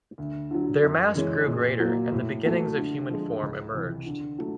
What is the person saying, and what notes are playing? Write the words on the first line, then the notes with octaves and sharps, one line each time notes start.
Their mass grew greater, and the beginnings of human form emerged.
D2
D3 F#3
F#2
C#3 E3 G#3 C#4
A#2
F#3 A#3
A2
F#3 A3
D3
F3 G#3
C#2
C3 E3
D3
F#3 A3